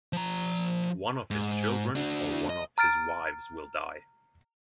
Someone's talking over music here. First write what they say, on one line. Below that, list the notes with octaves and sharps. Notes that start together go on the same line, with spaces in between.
One of his children or one of his wives will die.
F3 A#5
G#2
D4 F#4
D#5
A#5 F6 A6 D7